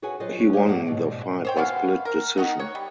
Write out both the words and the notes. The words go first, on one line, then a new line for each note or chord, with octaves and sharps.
He won the fight by split decision.
F#4 G#4 B4 C#5 F#5 G#5
F#3 F4 B4 C5 D#5
C#4
G4 C#5 D#5
G2 F3 A#3 G#4 F5 F#5
G#2 B2 D5
C5 C#5 G5
E3 B3 F#4 F5
A#4
D#3 D#4 F#4
C#5
G3